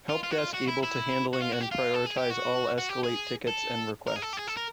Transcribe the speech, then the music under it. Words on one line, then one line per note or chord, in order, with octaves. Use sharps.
Help Desk able to handling and prioritize all escalate tickets and requests.
F4
F4
F#4
F4
F#4
E4
E4
F#4
F4
F#4
G4
F4
A4
G#4
G4
F#4
F#4
G4
G#4
A4
A#4
G#4
A4
G4
G#4
A4
A#4